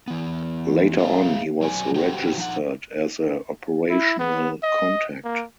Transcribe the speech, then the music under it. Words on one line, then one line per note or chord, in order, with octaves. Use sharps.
Later on he was registered as a operational contact.
E3 B3
G#4 E5 F5
F#3 C5 D5 G#5
F#4 G4 B4 C5 F#5 G5
F3 D#4 F#5
E4
B3
D#5
A#3